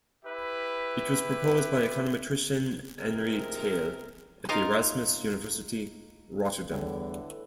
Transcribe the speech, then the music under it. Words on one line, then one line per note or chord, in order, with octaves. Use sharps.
It was proposed by econometrician Henri Theil at the Erasmus University Rotterdam.
E4 G4 B4 E5
C3 F3 G#3 A#4
D#4 F4 A#4 F5
E2 A2 D3 E3 G3